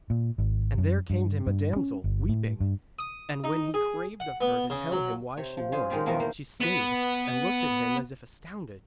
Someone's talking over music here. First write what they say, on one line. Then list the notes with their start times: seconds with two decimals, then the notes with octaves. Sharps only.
And there came to him a damsel, weeping, and when he craved of her to tell him why she mourned, she stayed, and looked at him as if astounded.
0.10 A#2
0.38 G#1
0.78 F#2
1.10 G2
1.47 G2
1.76 C#4
2.04 G1
2.29 A2
2.60 G2
2.99 D#6
3.44 D#4
3.74 G#4
4.20 F#5
4.41 B3
4.70 C#3
4.92 F#3
5.37 C3 C#5
5.57 F3
5.72 C#4 F4 G#4 C5
5.90 D#3 G#3 C#4 F4 G4 G#4
6.06 E2 B2 D#3 F3 E4 A#4
6.20 F3 A#3 C5
6.61 B3 B4